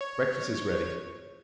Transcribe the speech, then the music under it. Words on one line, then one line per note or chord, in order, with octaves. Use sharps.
Breakfast is ready.
C#5